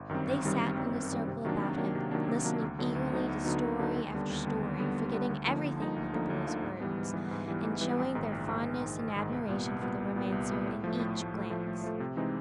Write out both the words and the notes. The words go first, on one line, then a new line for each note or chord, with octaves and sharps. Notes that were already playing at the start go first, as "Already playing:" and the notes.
They sat in a circle about him, listening eagerly to story after story, forgetting everything but the boy's words, and showing their fondness and admiration for the romancer in each glance.
Already playing: G1
F#2 D#3 G3 C4
G1
F#2 D#3 G3 C4
G1
F#2 D#3 G3 C4
G1
F#2 D#3 G3 C4
C3
D#3 F#3 A#3 D4
C3
D#3 F#3 A#3 D4
C3
D#3 F#3 A#3 D4
C3
D#3 F#3 A#3 D4
D2
D3 F#3 B3 D#4
D2
D3 F#3 B3 D#4
D2
D3 F#3 B3 D#4
D2
D3 F#3 B3 D#4
D#2
D3 G3 B3
D#2
D3 G3 B3
D#2
D3 G3 B3
D#2
D3 G3 B3
D2
D3 F3 A#3 D#4
D2
D3 F3 A#3 D#4
D2
D3 F3 A#3 D#4
D2
D3 F3 A#3 D#4
G#2
E3 G3 B3
G#2
E3 G3 B3
G#2
E3 G3 B3
G#2
E3 G3 B3
A#1
G#2 D#3
A#1
G#2 D#3
A#1
G#2 D#3
A#1
G#2 D#3
C2
A#2 G3 B3
C2
A#2 G3 B3
C2
A#2 G3 B3
C2
A#2 G3 B3
A2
F3 A3
A2
F3 A3
A2
F3 A3
A2
F3 A3
C3
E3 G#3 C4 D#4